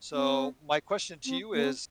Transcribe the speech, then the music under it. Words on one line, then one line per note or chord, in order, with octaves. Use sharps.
So my question to you is
C4
C4
A#3
C4